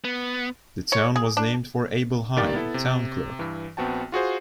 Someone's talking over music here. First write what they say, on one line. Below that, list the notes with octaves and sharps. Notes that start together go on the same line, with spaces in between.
The town was named for Abel Hine, town clerk.
B3
C#5
G#4
D4
G2 D#3 A#3 G4 D5 A6
B3 E4 A4
C3
G2 E3
A#1 B3 C4 F#4 G5 A5
F4 F#4 G#4 C5